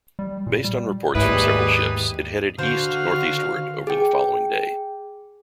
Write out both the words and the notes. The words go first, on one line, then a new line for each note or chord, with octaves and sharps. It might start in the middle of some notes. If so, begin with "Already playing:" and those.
Based on reports from several ships, it headed east-northeastward over the following day.
G3
A#2
G3
D#2 G#2 G3 E4 G#4 B4 D#6
D3 F#4 C5 F5
G#4 G5